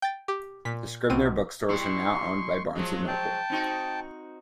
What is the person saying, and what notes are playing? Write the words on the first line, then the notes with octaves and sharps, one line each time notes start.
The Scribner Bookstores are now owned by Barnes and Noble.
G5 A6
G4
A#2 B6
B1 B2 C4 D#7
B2 G3 E4 C6 C#6
F3 F#3 G#3
G5 A5
C4 D#4 F#4